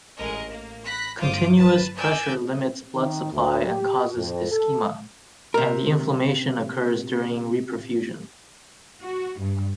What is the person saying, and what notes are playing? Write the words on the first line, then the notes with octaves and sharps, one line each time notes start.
Continuous pressure limits blood supply and causes ischemia, and the inflammation occurs during reperfusion.
A1 G#3 A#4 D#5
A#3
B5 F#6 A#6 B6
G1 F4 C5 D6 D#6
B4 A5 A6
D5 G#5 E6 G6
D#3
D2
G4
F2
A4
C3 A#4
F#4
G2